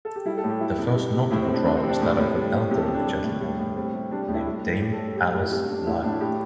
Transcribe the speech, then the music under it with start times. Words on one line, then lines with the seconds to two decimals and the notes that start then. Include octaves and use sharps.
The first notable trial was that of an elderly gentlewoman named Dame Alice Lyle.
0.05 A4
0.16 G4
0.25 G3 E4
0.37 A4
0.44 A2
0.49 G4
0.60 G3 E4
0.79 C3
0.95 C3
1.14 C3
1.31 A2 E4
1.42 C4
1.48 A2
1.54 D4
1.65 C3 D4
1.77 C4
1.83 C3
1.89 D4
2.01 A2
2.19 A2
2.36 G3
2.54 A2
2.71 C3 G4
2.78 A4
2.82 G4
2.88 C3
2.94 D4
3.06 G3
3.24 A2
3.40 G3
3.59 A2
3.76 G3 C4
3.93 C3
4.11 G3 D4
4.22 D4
4.28 A2 G4
4.34 E4
4.46 G3
4.64 A2
4.81 G3 G4
4.92 A4
4.99 A2
5.16 G3 G4
5.24 A4
5.33 A2 G4
5.42 E4
5.51 C3 G4
5.63 D4
5.69 C3
5.74 D4
5.86 A2 E4
5.95 G4
6.03 A2 D4
6.13 E4
6.21 A2 G4